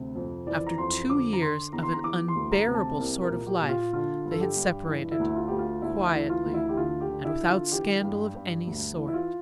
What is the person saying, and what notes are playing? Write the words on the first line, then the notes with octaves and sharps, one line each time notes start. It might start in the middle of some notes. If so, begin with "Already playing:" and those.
After two years of an unbearable sort of life they had separated--quietly, and without scandal of any sort.
Already playing: D2 C3
F2
E3 D5
A#5
F2 C6
D3 D6
A#5
D3 C6
E2 A#5
C6
A#5
E3 D6
C6
D2
A#5
C3
A5
C2 A#4
A#4
A#2
G4
A#2
F4
D3 F4
G2
A4
G4
G2
E3
E4
D2
F4
D2 G4
F4
D2 E4
E4
E3
F4
D2
E4
G4
D3 F4
G4
D3
E4
D3
F4
E3 G4
G2
G2
D2
E3
E4
F4